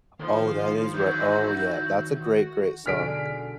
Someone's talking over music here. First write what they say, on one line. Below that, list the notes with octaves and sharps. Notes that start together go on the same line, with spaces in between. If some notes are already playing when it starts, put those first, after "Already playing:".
Oh, that is right, oh yeah, that's a great, great song.
D#3 F3 F5
E2 F#3 E4 F#4 G6
F#4
B1 D3 G#4 F6 B6 D7